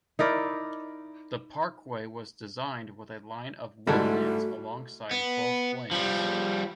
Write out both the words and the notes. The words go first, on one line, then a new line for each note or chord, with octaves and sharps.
The parkway was designed with a line of woodlands alongside both lanes.
D#4 E4 A#4 D5
G#2 D3 G3 A3 E4 F#4 A4 D5
B3
F3 G3